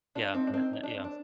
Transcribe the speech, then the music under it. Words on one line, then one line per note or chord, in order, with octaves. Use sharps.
yeah, and that that yeah.
D4 F4
C4 D#4
D4
C4 D#4
D#4
D4
C4
D4